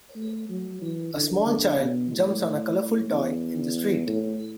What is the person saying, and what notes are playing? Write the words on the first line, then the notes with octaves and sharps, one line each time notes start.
A small child jumps on a colorful toy in the street.
A3
F#3
E3
D3
D3
B2
A2
E2
A2